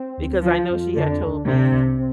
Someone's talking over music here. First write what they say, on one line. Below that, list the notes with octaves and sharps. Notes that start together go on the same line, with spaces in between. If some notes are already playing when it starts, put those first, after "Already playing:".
because I know she had told me,
Already playing: C4
D2
F3 F4
F2
D3 D4
D2
C3 D4
C2
C4